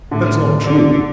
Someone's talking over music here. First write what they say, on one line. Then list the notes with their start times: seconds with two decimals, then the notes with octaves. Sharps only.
That's not true.
0.11 A2 D3
0.63 D3